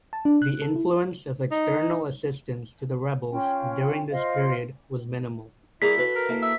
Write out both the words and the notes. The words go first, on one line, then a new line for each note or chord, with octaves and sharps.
The influence of external assistance to the rebels during this period was minimal.
A5
D4
F#6
A4
E4
D#4
C#4 F4 G5
F4 C5 D#5 F5
G3 E4 G#4 A#4 B6
F#4 A4 B4
A#4
A#3 E4 A4
E5